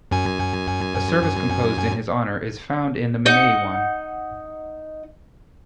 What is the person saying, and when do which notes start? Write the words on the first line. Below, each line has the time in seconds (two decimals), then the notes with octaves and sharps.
A service composed in his honour is found in the Menaion.
0.11 F#2 G#5
3.26 D#4 F#5